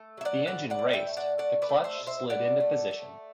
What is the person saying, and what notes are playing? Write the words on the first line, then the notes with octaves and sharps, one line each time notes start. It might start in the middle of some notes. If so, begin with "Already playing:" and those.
The engine raced; the clutch slid into position.
Already playing: A3
F#3 E5
D5 F#5
A2 D5 F#5
D5 F#5
A2
E5 G5
A3
D5 F#5
A3 D5 F#5
B4 D5
A3
C5 E5
B2
C5 E5
B2 D5 F#5
A3
A3